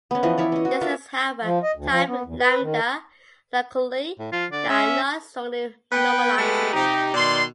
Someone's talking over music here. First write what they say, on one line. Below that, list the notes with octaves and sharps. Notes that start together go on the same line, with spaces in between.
There exist, however, typed lambda calculi that are not strongly normalizing.
B3 C#4
E3 F3 D#5
E4 C#5 D5
C#4 D#5
F#4
D4 F4 A#4 E5
F3
D#5
D2
F3
B3
E2
B4
D#3
A2
F3 F4
D3 D5
C#4 E5
B3 B4 G5
G#3 A3 B3 G4 A4 B4
C3 D#4 G4
B2 D#3 D5 C6